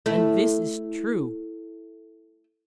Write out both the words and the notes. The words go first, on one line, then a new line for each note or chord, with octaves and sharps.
And this is true.
A3 E4